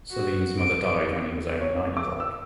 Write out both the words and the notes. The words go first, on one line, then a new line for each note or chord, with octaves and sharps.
Salim's mother died when he was only nine years old.
F#4
D7
C#5
D6
E6